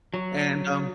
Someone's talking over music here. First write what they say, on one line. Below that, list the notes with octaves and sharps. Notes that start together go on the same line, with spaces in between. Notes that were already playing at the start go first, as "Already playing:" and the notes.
And, um
F#3